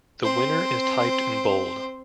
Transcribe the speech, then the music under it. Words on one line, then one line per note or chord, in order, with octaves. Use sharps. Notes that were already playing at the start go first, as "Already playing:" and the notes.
The Winner is typed in bold.
C4 C5